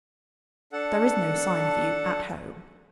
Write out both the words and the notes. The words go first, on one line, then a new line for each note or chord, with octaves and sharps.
There is no sign of you at home.
D4 A4 F#5